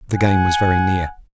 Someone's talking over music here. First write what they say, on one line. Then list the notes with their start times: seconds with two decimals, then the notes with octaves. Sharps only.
The game was very near.
0.14 F#5 G#5